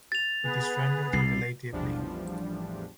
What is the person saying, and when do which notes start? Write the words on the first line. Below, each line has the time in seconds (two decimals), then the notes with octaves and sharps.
It is rendered in the late evening.
0.12 A6 F7
0.45 B3 G#4 B4
1.13 C2 C7
1.72 A1 E2 F3 G3 D4